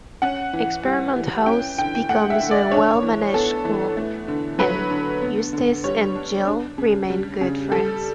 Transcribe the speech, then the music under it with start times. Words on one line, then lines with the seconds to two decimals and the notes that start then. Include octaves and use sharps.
Experiment House becomes a well-managed school, and Eustace and Jill remain good friends.
0.22 C#4 F#5
0.53 E3
0.84 G3
1.16 E3
1.46 C#4 G5
1.78 D3 G5
2.09 A3 F#5
2.30 E5
2.40 D3
2.51 D5
2.71 D4 C#5
3.03 E3
3.34 B3 A4
3.65 E3
3.97 A3
4.28 D3
4.59 F#3 B4
4.90 D3
5.21 B3
5.53 D3
5.84 G3 C#5
6.15 D4
6.47 D4
6.78 C#3
7.10 G3
7.41 C#3
7.72 G3 A4